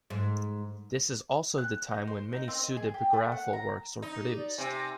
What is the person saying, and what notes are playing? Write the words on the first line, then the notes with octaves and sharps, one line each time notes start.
This is also the time when many pseudepigraphal works were produced.
G#2
F#6
D#4
C5
D#4
C4
D#5
G#4
G4
A3
F#5
A#5
D#4
G4
D5
C3 G#5